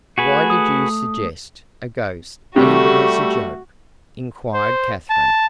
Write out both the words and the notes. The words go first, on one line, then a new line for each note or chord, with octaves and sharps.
"Why did you suggest a ghost even as a joke?" inquired Katherine.
A3 F#4 G#4 B4
D#6
C3 G3 A3 F#4
C5
A5